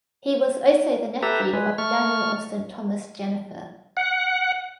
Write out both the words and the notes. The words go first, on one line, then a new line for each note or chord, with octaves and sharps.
He was also the nephew of Daniel of Saint Thomas Jenifer.
G4 A4 B4 E5 A#5
G#3 B4
A3 C#6 F6
F#5